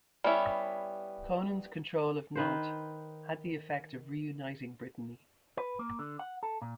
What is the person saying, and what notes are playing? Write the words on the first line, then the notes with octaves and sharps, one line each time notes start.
Conan's control of Nantes had the effect of reuniting Brittany.
G3 B3 C#4 E4
D#3 B4 C5
B4
A#3
D3
F#5
A4
A#2